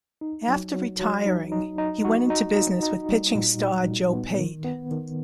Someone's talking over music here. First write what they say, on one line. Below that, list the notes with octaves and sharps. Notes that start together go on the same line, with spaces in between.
After retiring, he went into business with pitching star Joe Pate.
D#4
F#3
F#3
F#3
D#4
D#4
D#4
F#4
D#4
D#4
D#4
G3
A#2
G3
A#2
B3
D#3
B3
D#3